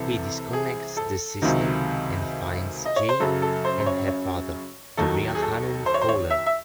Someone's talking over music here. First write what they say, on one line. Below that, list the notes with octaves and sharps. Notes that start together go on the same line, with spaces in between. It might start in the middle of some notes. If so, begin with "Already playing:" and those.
He disconnects the system and finds Jane and her father, the real Hannon Fuller.
Already playing: C2 C3 E3 A4
G#4
A4
C#2 C3 D#3 F#3
D#5
C#5
C5
F#2 C#3 F#3 A4
A4
C5
C5
C#5
C#5
D#2 D#3 F#3 A4
G#4
A4
C5
C#5
C5
C#5
E5
E5